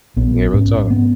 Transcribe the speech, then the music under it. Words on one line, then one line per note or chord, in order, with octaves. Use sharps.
Yeah, real talk.
A#1 B3
G#2 C#4
B3